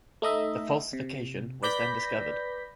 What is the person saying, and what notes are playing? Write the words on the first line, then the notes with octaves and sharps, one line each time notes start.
The falsification was then discovered.
A3 D#4 D#5 E5
C3
B4 D5 B5 G6 A#6 B6